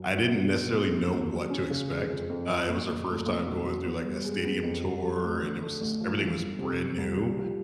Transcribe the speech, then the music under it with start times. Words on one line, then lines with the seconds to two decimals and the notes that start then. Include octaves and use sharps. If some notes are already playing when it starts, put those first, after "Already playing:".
I didn't necessarily know what to expect, uh, it was their first time going through, like, a stadium tour, and it was just everything was brand new,
Already playing: F#2
0.14 F#3
0.33 B2
0.53 B2
0.73 B3
0.92 D#2
1.12 D#2
1.32 F#3
1.50 C#4
1.70 C#3
1.90 G#3
2.09 F2
2.30 F2
2.49 F3
2.69 A#2
2.88 A#2
3.07 A3
3.26 A#3
3.46 B1
3.66 F#3
3.86 B3
4.04 G2
4.25 G#3
4.45 B3
4.63 F2
4.82 G3
5.03 F#3
5.23 A1
5.41 D3
5.62 A3
5.81 A1
6.01 F3
6.20 E3
6.40 G1
6.59 C3
6.78 C4
6.98 C2
7.17 G3
7.37 F3